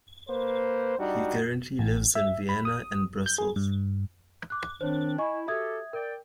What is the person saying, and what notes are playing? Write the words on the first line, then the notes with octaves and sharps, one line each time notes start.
He currently lives in Vienna and Brussels.
A#3 B4 C5
G3 D4 D#4 F#4
A1
E5
B5
D#6
G6
G#4
G2
D6 F#6
D#3 C4 D4 C5 C#5
E4 D#5 G#5 C#6
F#4 G4 A4 E5 D#6 G#6
A#4 D5 G5